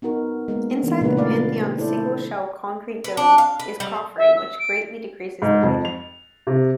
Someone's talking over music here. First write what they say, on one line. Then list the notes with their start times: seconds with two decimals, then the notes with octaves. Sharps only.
Inside the Pantheon's single-shell concrete dome is coffering which greatly decreases the weight.
0.02 B3 D#4 F#4 A#4
0.48 G#3 A#3 B3
0.84 E3 A#3 B3 D4 D#4 F#4
1.01 A#2 C#3 G#3 A#3 B4
1.16 A#2 F3 A3 A#3 D5 F5
1.78 E4 A4 C5 D5
3.04 B4
3.17 D4
3.38 F5
3.60 B4
3.80 G3
4.18 E5
4.36 E6
4.59 D7
5.42 G#2
5.63 F2
5.85 F7
6.47 C3